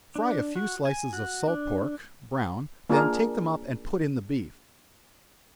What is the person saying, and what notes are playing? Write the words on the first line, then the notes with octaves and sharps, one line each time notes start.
Fry a few slices of salt pork, brown, then take them up and put in the beef.
D4
F#4
G#5
F#4
D4
A#3 D4 F4 G#4 A#4